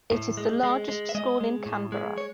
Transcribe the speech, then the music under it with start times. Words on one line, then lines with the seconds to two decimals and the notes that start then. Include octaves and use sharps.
It is the largest school in Canberra.
0.12 A2
0.37 G#3
0.63 G#3
0.89 G#3
1.09 E5
1.15 G#3 D#5
1.40 G#3
1.66 A2
1.92 G#3
2.18 C#5